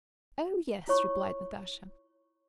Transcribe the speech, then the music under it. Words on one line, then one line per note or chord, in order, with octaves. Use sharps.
"Oh, yes," replied Natasha.
E4 F4 C#5 C#6